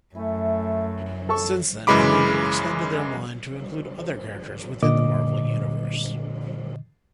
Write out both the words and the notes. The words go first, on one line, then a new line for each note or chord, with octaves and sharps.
Since then Panini extended their line to include other characters within the Marvel Universe.
F#2 A3 E4 G#5
A4 A5 C#6
F#2 C#3 E3 G#3 B5 D6
A#2 D3 D#5 D6